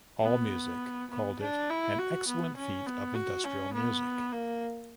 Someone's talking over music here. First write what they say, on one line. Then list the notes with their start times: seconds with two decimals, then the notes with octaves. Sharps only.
AllMusic called it "an excellent feat of industrial music".
0.23 B3
1.10 B3
1.41 D4
1.70 E4
1.98 F#4
2.28 B3
2.56 C#4
2.86 B3
3.14 F#4
3.44 C#4
3.73 B3
4.32 A#3